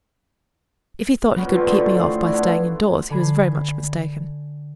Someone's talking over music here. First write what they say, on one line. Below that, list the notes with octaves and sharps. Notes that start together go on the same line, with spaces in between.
If he thought he could keep me off by staying indoors he was very much mistaken.
A#2 B3 C#4 A#4
D3 F3 A3 C4
D3 A3 D#5 C6
A2
A3 D4 E4
B3 C6
D3 G#5 B5 G#6 C7